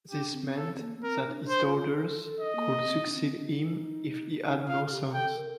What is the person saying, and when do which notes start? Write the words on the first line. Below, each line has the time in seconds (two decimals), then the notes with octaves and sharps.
This meant that his daughters could succeed him if he had no sons.
0.11 D4 G4
0.34 C4
0.57 A4
0.74 C4
0.80 A#3
0.97 A#3
1.03 C4 A#4
1.27 D#4
1.33 D4
1.49 C5
1.63 F4
1.94 A4
2.25 A4
2.40 D#5
2.55 A#3
2.85 C4
2.98 D#4
3.07 D4
3.16 C4
3.35 D4
3.46 D#4
4.68 F4 F5
4.85 A4
4.91 G4
5.14 A4 G5
5.37 A#4